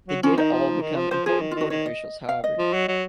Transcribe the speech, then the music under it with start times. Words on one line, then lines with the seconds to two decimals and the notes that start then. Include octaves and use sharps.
They did all become important court officials, however.
0.08 F#3
0.23 F3 C#4
0.38 D#3 D#4
0.52 F3
0.82 D#3
0.97 F3
1.11 F3 C5
1.26 F3 G#4
1.41 D#3
1.51 F4
1.56 D#3
1.61 F#4
1.70 D#3 C#5
1.86 D#5
2.29 F5
2.44 D#5
2.59 F3
2.73 F#3
2.88 F#3